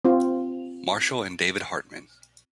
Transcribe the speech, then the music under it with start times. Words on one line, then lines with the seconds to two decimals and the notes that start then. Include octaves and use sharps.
Marshall and David Hartman.
0.05 C4 F4